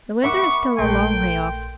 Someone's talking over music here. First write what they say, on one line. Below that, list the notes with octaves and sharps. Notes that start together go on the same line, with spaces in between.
The Winter is still a long way off.
A#4 E5 F#5 B5 C#6 D6
A#1 A3 A#4 B4 G5 C6